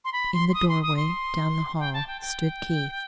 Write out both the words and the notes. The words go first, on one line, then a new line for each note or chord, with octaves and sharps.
In the doorway down the hall stood Keith.
C6
B5
C6
C6
D#6
C6
D#6
C6
G5
A5
G5
G5